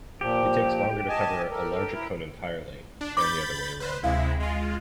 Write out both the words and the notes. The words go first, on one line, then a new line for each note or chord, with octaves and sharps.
It takes longer to cover a larger cone entirely, and the other way around.
A#2 F3 G4
D#5 G#5 A5
A4 A#4
E4 A#4
D4
B5 D6 G6 A6
B4 C5
D2 C3 G#3 E4 F5
G#3 F4